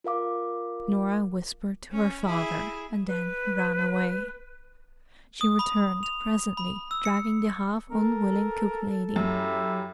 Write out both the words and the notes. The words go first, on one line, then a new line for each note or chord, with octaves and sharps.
Norah whispered to her father, and then ran away. She returned, presently, dragging the half-unwilling cook-lady.
F4 A#4 F5 D6
C#4
E4 G#4
B4
D#6
B5
F7
B5
E6
C#7
A4 A#4
F#2 E4 G4 E5